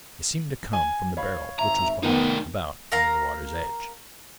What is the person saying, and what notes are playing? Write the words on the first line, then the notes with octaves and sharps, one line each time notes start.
It seemed to come from the barrel which was bobbing about near the water's edge.
G#5
C#5 F5 B5
G#1 E5 A#5
D#3 A3 B3 D#4 G5
A#4 F5 A#5